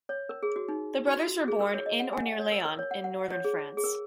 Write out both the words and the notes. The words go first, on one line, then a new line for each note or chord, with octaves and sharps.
The brothers were born in or near Laon in northern France.
C#5
A#4
G#4
F#4
D#4
F#4
F#4
G#4
A#4
C#5
D#5
F#5
G#5
F#5
C#5
A#4
A#4
C#5
F#5
F#5
C#5
G#4
G#4
A#4